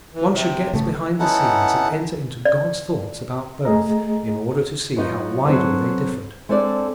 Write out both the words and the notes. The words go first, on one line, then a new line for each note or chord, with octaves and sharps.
One should get behind the scenes, and enter into God's thoughts about both, in order to see how widely they differed.
E3
C3
A1 C#3 A3
B3 C#4 D#4 E4 A4 F#5
D5
A3 G#4 D#5 A#5
F#3 B3 D#4 F4
F#3 C4 A4 B4
G#3 C4 D4 A4 C5 D5